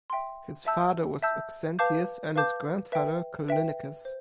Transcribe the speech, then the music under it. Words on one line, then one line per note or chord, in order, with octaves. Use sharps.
His father was Auxentius and his grandfather Callinicus.
E5 G5 C6
E5 A5 E6 G6
E5 A5 E6 G6
B4 F5 A5 D6 G6
B4 F5 A5 D6 G6
B4 E5 G5
B4 E5 G5
C5